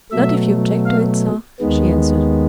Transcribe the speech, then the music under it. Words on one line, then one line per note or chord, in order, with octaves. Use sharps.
"Not if you object to it, sir," she answered.
B2 F#3 A3 E5
F5
D#2 D#3 G#3 B3